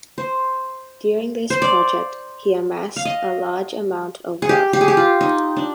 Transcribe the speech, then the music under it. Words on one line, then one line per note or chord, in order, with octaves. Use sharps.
During this project, he amassed a large amount of wealth.
C5
C5
D5
F5
D#5
G#4
G4
G4
G#4
G4
F4
D#4
D4